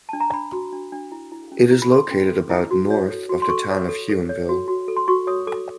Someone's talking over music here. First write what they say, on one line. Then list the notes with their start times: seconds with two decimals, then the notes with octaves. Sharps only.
It is located about north of the town of Huonville.
0.09 D4 A5
0.20 A#5
0.33 D4 B5
0.52 F#4
0.73 D4
0.92 D4
1.12 E4
1.32 E4
1.52 C#4
1.71 E4
1.82 B5
1.92 A4 C6
2.11 C#4
2.31 A4
2.50 E4
2.71 F#4
2.91 C#5
3.10 A4
3.29 F#4
3.42 C6
3.49 A4 C#6
3.70 C#5
3.89 A4
4.09 A4
4.29 C#5
4.49 F#4
4.68 F#4
4.88 A4
4.96 C6
5.08 F#4 C#6
5.27 C#5 D#6
5.47 A4 D6